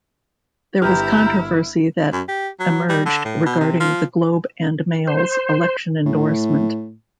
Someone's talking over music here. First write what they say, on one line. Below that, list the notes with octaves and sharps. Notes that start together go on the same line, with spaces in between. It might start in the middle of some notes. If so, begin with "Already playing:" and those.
There was controversy that emerged regarding the Globe and Mail's election endorsement.
G1 E4 G4 B4 A#5 F6 G6
F#2
G4
F#3
G3
D3
A2
B2
C3
F3
C5
A2